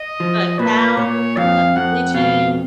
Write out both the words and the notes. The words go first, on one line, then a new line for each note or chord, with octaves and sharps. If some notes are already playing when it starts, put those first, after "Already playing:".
a cow, a pigeon,
Already playing: D#5
F3
A#2 B4
A#2 C#5
F2 F5
F2 F#5
B2 F5